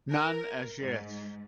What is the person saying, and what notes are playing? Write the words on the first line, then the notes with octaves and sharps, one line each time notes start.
None as yet.
A#4
G#2